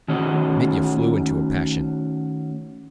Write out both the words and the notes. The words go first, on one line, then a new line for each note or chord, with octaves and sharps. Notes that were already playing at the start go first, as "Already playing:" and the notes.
Mitya flew into a passion.
D#3 A3 C#4 F#4 D#5